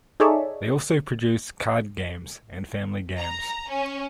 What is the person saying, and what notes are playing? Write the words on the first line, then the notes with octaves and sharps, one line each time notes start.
They also produce card games and family games.
D#4 G#4 A4 C#5 D5 E5
A#5
C#4